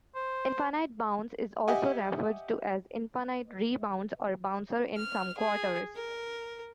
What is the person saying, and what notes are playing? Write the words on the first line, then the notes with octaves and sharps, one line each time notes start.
Infinite Bounce is also referred to as Infinite Rebounds or Bouncer in some quarters.
C5
G4 D#5 E5 F#5 G#5
F6
G#4
A#4